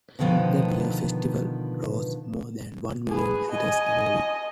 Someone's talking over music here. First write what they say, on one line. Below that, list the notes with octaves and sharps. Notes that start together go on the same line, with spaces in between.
The beer festival draws more than one million visitors annually.
B2 D3 D#3 F3 B3
G#4 B4
D#5 G#5